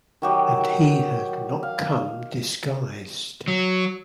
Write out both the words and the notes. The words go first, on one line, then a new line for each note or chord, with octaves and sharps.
And he had not come disguised.
D#3 F#3 G4
F5
F#3